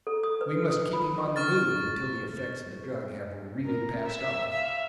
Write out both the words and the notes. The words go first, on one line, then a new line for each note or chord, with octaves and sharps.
We must keep him on the move until the effects of the drug have really passed off.
A4
D#6
B4
D#6
B5
C#6 F6 A6
A#4
E5
E5 F5